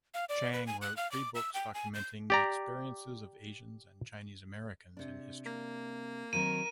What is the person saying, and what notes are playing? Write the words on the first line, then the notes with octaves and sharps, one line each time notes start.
Chang wrote three books documenting the experiences of Asians and Chinese Americans in history.
F5
D5
B4
G#5
F#6
F5
D6
E6
G5
G#5
G6
G4 D5 A#5
C3 D4
A#3
D#3 F#3 C4 A#4 D#7